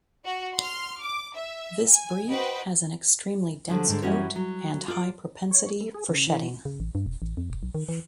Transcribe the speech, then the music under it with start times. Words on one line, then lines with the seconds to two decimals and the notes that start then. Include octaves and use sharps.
This breed has an extremely dense coat and high propensity for shedding.
0.25 F#4
0.57 C6 F6
1.01 D6
1.35 E5
1.89 G#5
2.30 F#4 B4 C5 D#5 G5
3.68 D3 F3 F#3
3.88 G#2 D3 G#3
4.02 F#2 E3 G3 C#4 F#4 C#5
4.36 F#3
4.88 F4 D5
5.51 C#5
5.81 A3
5.94 G#4
6.09 C#3
6.27 E3
6.65 C#3
6.80 A1
6.95 G2
7.06 E1
7.22 A1
7.37 F2
7.50 E1
7.63 B1
7.75 D#3
7.89 E3